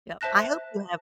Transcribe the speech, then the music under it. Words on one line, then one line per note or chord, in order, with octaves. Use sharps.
Yep. I hope you have
C5 E5 A5 F#6 A#6